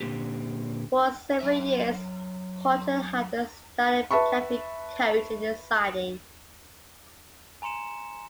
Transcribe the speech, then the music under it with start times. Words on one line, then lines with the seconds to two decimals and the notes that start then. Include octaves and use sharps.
For several years Corton had a static Camping coach in a siding.
0.01 A#2 D3 D#3 A#3 C4 G4
1.41 F#3 E5
4.11 B4 E5 A5 B5 C#6
7.62 G#5 A#5 C6 C#7 E7